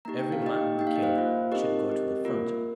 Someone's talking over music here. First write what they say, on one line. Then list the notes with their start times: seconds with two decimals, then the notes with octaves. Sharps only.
"Every man who can, should go to the Front."
0.05 A#3 D#4 G4 A#5
0.19 G5
0.32 F5
0.42 A#3 D#4 G4 D#5 G5
0.78 A#3 D#4 G4 G5
0.87 F5
0.96 D#5
1.03 C5 F5
1.16 A#3 F4
1.52 C4 D#4 G4 A#4 D#5
1.90 C4 G4
2.25 A#3 F4 A#4